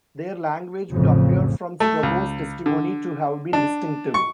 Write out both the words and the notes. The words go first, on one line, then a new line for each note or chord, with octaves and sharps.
Their language would appear, from Strabo's testimony, to have been distinctive.
A1 F2 C#3
A3
C#2
D3
D4
C#6